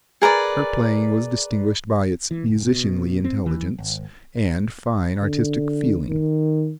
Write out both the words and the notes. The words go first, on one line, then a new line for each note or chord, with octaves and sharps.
Her playing was distinguished by its musicianly intelligence and fine artistic feeling.
G#4 A#4 B4 D5
E3
F#1
B2
C4
E3
G#1
D3
D#3